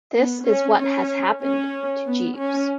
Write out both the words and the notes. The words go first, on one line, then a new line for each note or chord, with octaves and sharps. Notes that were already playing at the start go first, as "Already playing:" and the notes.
That is what has happened to Jeeves.
B3
C#4
C#4
C#4
B3
C#4